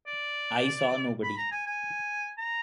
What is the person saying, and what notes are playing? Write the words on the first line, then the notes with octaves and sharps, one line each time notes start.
I saw nobody.
D5
B5
A#5
G#5
G#5
A#5